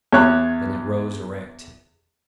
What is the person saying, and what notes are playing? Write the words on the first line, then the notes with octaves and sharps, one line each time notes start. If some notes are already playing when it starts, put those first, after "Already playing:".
Then it rose erect.
E2 C#5 F#6